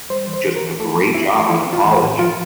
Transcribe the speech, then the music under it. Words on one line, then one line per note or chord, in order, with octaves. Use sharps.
just a great job out of college,
G3 C5
E3
C5
E3
A#4
E3
A3 A4
E3
C4 E4
A3
E3 E4
C4
F4
E3
A2
F3 F4